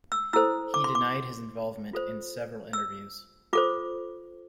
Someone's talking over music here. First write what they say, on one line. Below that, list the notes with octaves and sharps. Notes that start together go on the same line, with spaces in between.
He denied his involvement in several interviews.
E6
E4 A4 C5 E6
D6
C6
D6
F4 A4 C5
E6
F4 A4 C5 D6